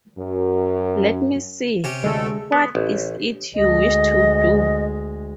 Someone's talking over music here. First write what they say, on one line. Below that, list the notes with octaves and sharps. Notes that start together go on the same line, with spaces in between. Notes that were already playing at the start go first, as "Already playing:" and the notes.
Let me see, what is it you wish to do?
F#2
C3 C#4 G4
D2 D3 G#3 A3 A4
B3
A1
D2 G#3 D#5